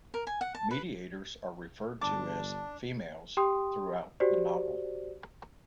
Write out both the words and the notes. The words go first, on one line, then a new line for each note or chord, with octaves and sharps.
Mediators are referred to as females throughout the novel.
A#4
G#5
F#5
A5
B4
G1 D4 A5 D6
G4 G5 C6 D#6
F#4 G4 C5 D5